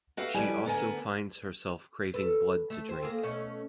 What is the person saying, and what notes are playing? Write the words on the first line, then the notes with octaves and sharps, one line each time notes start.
She also finds herself craving blood to drink.
F#4 G4 B4 E5 F5
F2 G3 E4 B4 G5 G#5
D2 B3 A#4 F#5 G#5
A4 B4
A3
G4 C5
A#3 G#4 A4
B2 A3 C#4